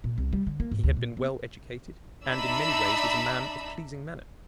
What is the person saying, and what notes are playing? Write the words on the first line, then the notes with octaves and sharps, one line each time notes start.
He had been well educated, and in many ways was a man of pleasing manner.
A#2
C2
G3
D3
A#3
G#2
D2
A#2
B3
D4 D#4 E5 B5 E6